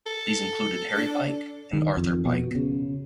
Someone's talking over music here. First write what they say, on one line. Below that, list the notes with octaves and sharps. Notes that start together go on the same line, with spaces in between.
These included Harry Pike and Arthur Pike.
A4
D4
D#3
F2
B2
C#3